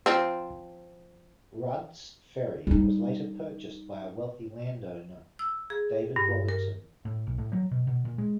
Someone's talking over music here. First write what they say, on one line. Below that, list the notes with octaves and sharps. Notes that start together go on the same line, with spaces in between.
Rudd's Ferry was later purchased by a wealthy landowner, David Robinson.
F3 C4
G3 D#4
E6
G#4
G2
A#4
A2
B1
A2
F#3
B2
B2
A#2
G#3